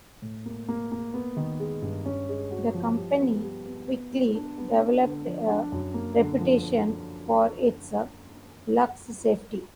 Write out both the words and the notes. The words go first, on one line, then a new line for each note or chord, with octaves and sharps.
The company quickly developed a reputation for its lax safety.
A2
A#3
A#3
A#3
B3
D#3
G#3
G2
C#4
G#3
F#4
F3
G3
B3
G3
B3
B3
B3
D4
B3
D4
D3
F3
D4
F#2
A#3
D3
F3